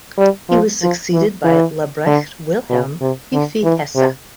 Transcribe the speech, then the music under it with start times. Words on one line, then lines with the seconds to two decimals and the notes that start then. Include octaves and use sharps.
He was succeeded by Lebrecht Wilhem Fifi Hesse.
0.18 G3
0.49 F3
0.82 F3
1.13 E3
1.44 E3
2.07 D3
2.70 B2
3.01 C3
3.33 D3
3.64 E3
3.96 C3